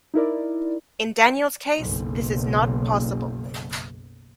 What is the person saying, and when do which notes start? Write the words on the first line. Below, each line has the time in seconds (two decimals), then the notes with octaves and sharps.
In Daniel's case this is not possible.
0.14 D#4 E4 A#4 D5
1.77 F#1 B1